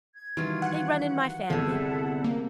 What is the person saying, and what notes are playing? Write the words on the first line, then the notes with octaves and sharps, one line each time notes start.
They run in my family.
G#6
D#3 E3 F#3 G3 F4
F#5
G1 C3 E4 G#4 A4
A#3